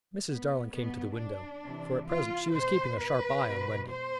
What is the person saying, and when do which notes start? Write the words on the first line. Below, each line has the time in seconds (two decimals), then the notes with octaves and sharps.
Mrs. Darling came to the window, for at present she was keeping a sharp eye on Wendy.
0.27 B3
0.72 B2 B3
1.17 D4
1.63 C3 E3
2.08 F4
2.53 B2 C5
2.98 B4
3.43 B2
3.89 C5